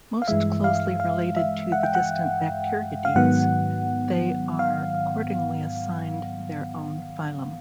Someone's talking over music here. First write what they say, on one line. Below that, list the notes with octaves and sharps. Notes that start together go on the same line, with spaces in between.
Most closely related to the distant Bacteroidetes, they are accordingly assigned their own phylum.
F5
G2 E3 G#3 E5
F5
F5
E5
F#5
G5
F#5
F5
G#2 D#3 F#3 B3 F#5
F5